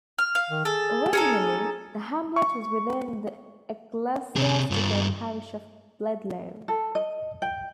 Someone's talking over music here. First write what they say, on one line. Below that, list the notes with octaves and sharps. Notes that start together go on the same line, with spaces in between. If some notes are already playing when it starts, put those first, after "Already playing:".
Originally the hamlet was within the ecclesiastical parish of Bledlow.
F6
F5
D#3
G#4 A4
C#4 D#4 A4
C#6
C3 G#4
G2 F4
A4
D#5
G5